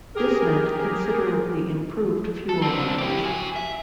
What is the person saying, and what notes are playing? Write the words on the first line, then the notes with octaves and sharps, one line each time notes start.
This meant considerably improved fuel mileage.
G4 G#4 A#4
A4
C4 D4
E4 G4
F#4 G#5
E5